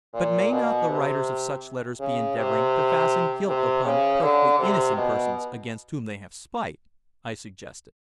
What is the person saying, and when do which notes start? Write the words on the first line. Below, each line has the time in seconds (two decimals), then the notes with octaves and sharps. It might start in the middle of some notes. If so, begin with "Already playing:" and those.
"But may not the writers of such letters be endeavouring to fasten guilt upon perfectly innocent persons against whom they have spite?" I suggested.
0.14 A#2
0.52 B2
0.89 C3
2.00 C#3
2.37 C3
3.48 C3
3.85 C#3
4.22 D3
4.59 C3
4.97 B2